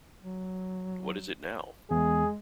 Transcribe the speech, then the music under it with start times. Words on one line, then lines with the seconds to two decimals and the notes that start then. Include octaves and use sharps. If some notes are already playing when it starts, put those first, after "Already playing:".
What is it now?
0.23 F#3
1.91 E2 G#3 G#4